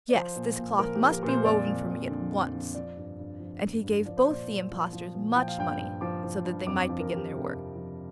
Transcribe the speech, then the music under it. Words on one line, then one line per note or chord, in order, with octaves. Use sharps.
Yes, this cloth must be woven for me at once.' And he gave both the impostors much money, so that they might begin their work.
D5
F3 C5
A#2
A#2
F3 A#4
G4
F3
A#4
A#2
C5
F2 D5
F3
F2
D3
F2
F3
F3 D5
G2
G2
F3
F3
G2
F3 D5
C5
A#2 D5
A#2
F3
F3
A#2
F3 G5
F5
G2 G5
G2
F3 D6
F3
G2
F2 D6
F3
A#4
F2
G4
C3
F2
F3